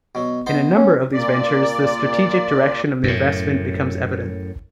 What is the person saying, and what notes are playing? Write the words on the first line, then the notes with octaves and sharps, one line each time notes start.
In a number of these ventures the strategic direction of the investments becomes evident.
B2 F#3
B3 D#4 C5
C#4
A#2 D5
F#2 A2